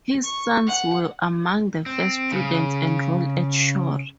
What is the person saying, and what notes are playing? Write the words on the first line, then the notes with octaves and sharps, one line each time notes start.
His sons were among the first students enrolled at Shore.
C#6
F#5
C4
C#3